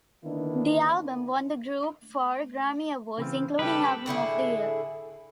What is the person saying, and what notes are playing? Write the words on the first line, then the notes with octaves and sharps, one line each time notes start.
The album won the group four Grammy Awards, including Album of the Year.
D3 D#3 A#3 B3 D4 E4
C#3 E3 C4
C#3 G3 G4 A4 B4
A2 D3 E4 G#4